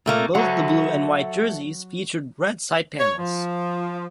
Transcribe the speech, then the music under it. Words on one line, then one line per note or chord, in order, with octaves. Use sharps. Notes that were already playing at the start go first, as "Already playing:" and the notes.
Both the blue and white jerseys featured red side panels.
A#2 A3 A#3
F#3 A4 E5 F#5
C#5
F3